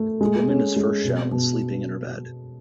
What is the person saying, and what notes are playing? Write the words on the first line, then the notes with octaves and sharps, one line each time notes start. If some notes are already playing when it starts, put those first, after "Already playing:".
The woman is first shown sleeping in her bed.
Already playing: A3
G#3
C#4
G#3
B2
B2